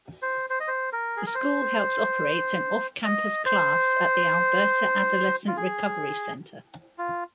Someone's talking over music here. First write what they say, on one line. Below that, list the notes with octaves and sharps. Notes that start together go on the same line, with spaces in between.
The school helps operate an off-campus class at the Alberta Adolescent Recovery Centre.
C5
C5
D#5
C5
A#4
G#4
A#4
C5
D#5
C5
F4
G#4
F4